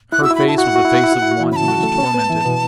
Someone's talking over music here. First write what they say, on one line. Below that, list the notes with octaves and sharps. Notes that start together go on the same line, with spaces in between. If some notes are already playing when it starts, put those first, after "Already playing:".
Her face was the face of one who is tormented.
E4 F#6
F#4 E6
E4
F#4 B5
E4 A5
F#4 F#5
E4
F#4
E4
F#4
E4
F#4
E4
F#4
E3 E4
C#3 C#4 B5
A5
F#3 F#4
A3 A4
C#4 C#5
B3 B4
E3 E4
B2 B3